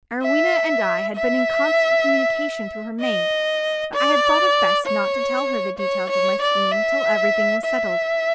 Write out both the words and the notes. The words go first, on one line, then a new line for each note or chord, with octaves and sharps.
Arowhena and I had been in constant communication through her maid, but I had thought it best not to tell her the details of my scheme till everything was settled.
E5
E5
D#5
D5
C#5
C#5
C#5
D5
E5
E5